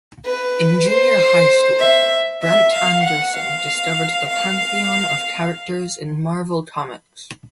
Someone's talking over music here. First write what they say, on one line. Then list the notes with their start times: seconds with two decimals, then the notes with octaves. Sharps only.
In junior high school, Brent Anderson discovered the pantheon of characters in Marvel Comics.
0.25 B4
0.87 C5
1.79 E5
2.42 E5
2.73 F5
3.04 F#5
3.36 F5
4.29 F5